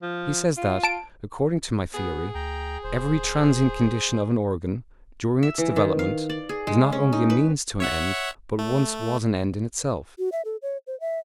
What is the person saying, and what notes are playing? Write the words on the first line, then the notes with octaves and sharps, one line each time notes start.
He says that, according to my theory, "every transient condition of an organ, during its development, is not only a means to an end, but once was an end in itself."
F3
F4
A5 D7
B3 G#4
D2 G5 A#5
D1 C5
E5
E3
D#3
F5
D5
G#4
G#3
C#4
D#4
B4
C#5 E5 F#5
A3
F#4
E5
A4
C#5
C5
E5